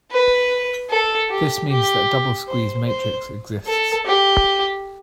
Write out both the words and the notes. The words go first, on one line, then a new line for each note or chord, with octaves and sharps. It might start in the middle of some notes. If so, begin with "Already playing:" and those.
This means that a double squeeze matrix exists.
B4
A4
G4
G4
C5
C5
A4
G4